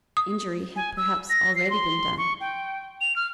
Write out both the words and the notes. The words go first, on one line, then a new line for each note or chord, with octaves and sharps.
Injury had perhaps already been done.
D#6
G#5
E6
A#6
C7
C6
C#6
G5
F7
F6